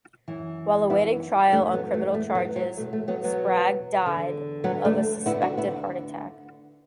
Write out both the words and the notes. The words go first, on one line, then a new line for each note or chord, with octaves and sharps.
While awaiting trial on criminal charges, Sprague died of a suspected heart attack.
F#2 E3
B3 E4
F#2 E3 A3 D4
F#3 B3
A3
A3
F#3 B3
F#3
E2 B2 A3
A3
F#3 B3
F#3 B3
E2 D3
F#3 B3
A3 D4
D2 D3 B3 E4
D4 F#4
B3 E4